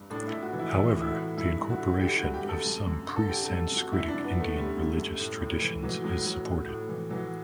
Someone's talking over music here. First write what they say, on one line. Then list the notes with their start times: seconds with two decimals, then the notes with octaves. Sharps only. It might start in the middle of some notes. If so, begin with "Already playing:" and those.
However, the incorporation of some pre-Sanskritic Indian religious traditions is supported.
Already playing: G2
0.10 A2 D4
0.27 E4
0.33 A2
0.42 F#4
0.53 E3
0.59 E4
0.74 E3 E4
0.95 A2
1.01 E4
1.06 F#4
1.17 A2
1.37 G2 E4
1.59 G2
1.70 F#4
1.80 D3
2.01 D3 G4
2.17 G2 F#4
2.34 G4
2.44 G2 A4
2.65 F#2
2.87 F#2
3.08 D3
3.16 A4
3.29 D3 G4
3.45 F#2 A4
3.72 F#2 F#4
3.92 F#2 E4
4.08 D4
4.14 F#2
4.24 B3
4.34 D3
4.41 A3
4.56 D3 G3
4.77 F#2
4.98 F#2
5.20 A2
5.40 A2
5.62 E3
5.83 E3 F#3
6.04 A2 F#3
6.25 A2 F#3
6.46 A2
6.68 A2
6.89 E3
7.10 E3 F#3